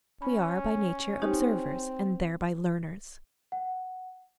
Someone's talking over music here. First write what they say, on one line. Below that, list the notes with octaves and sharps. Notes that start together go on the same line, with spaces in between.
We are by nature observers, and thereby learners.
C#4 B5
C4 D#4 G4
F#5